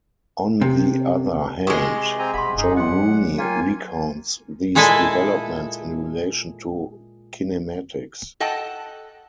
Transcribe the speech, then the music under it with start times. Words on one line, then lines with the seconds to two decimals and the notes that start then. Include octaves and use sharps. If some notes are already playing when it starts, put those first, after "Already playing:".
On the other hand, Joe Rooney recounts these developments in relation to kinematics.
0.61 C3
1.67 C3 G#3 F#4 C#6 D#6
2.19 C4 G#5 A#5
2.34 E1 F#5 G#5 B5 C6
2.58 F#2 D#4 G#4
2.76 F#3 D#5 F#5 C6
3.38 A#3 F4 F5 G5 G#5
4.75 A#2 G#3 E4 A4 E5 G#5
8.40 A4 D#5 F#5 G5 A5